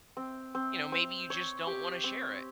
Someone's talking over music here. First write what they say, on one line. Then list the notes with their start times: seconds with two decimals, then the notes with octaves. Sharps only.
You know, maybe you just don't wanna share it.
0.17 C4
0.55 C4
0.92 C4
1.30 C#5
1.67 G4
2.04 C4